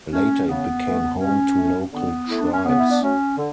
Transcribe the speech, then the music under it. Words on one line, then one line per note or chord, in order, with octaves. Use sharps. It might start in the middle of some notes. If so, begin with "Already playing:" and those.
Later it became home to local tribes.
A3 C#4
C#3 B3
E3 A3
B2 C#4
A3
D3 B3
A3 E4
D4
C#4
C#3 B3
E4
D4
F#3 A3 C#4
D3